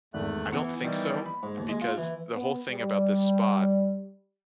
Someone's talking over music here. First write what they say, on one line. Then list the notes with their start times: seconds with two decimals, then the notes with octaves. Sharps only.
I don't think so, because the whole thing about this spot,
0.14 G#1 E2 A3 F#6
0.52 E3 B3 C#7
0.82 D#3 E3 G3
1.26 B5
1.43 G#2
1.57 D#2
1.69 G#3
1.82 F4
1.97 E3
2.35 B3
2.71 G3